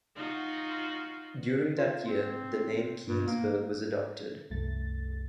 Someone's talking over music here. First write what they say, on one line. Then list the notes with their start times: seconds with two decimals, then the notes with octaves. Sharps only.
During that year, the name Keansburg was adopted.
0.16 D#4 F4 F#4
1.78 F4
2.07 C4
3.06 G2
3.26 A#3
4.50 C2 F#2 A3 A6